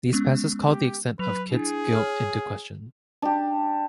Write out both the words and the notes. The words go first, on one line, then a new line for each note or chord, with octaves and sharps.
These passes call the extent of Kidd's guilt into question.
G#3 B3 C#4
G4
F#3 B4 F7
D4 E4 G#4
C#5 F6
D4 G4